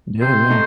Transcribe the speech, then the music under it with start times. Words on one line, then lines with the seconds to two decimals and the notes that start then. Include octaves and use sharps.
Yeah. Yeah.
0.21 C3 C5
0.50 A3 D#4